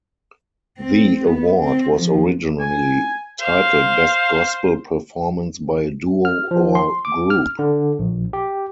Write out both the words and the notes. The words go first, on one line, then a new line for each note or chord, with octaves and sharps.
The award was originally titled Best Gospel Performance by a Duo or Group.
C4
B3
C4
F3
G#5
C5 F5
F6
F3
C6
D6
F6
D3
A#1
G4